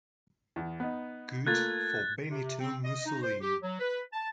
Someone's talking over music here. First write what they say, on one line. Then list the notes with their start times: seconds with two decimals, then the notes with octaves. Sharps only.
Good for Benito Mussolini.
0.56 E2
0.80 B3 D#4
1.47 A3 A#3 F4 F#6 G#6 A6
2.29 C3
2.60 C4
2.84 D#5
3.06 D#4
3.22 C5
3.41 G4
3.62 F#3
3.80 B4
4.13 A5